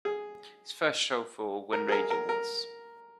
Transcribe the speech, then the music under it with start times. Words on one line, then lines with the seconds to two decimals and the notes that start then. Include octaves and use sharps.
His first show for When Radio Was!
0.05 G#4
1.73 A#4
1.88 G#4
1.92 A#4
2.10 A#4
2.29 A#4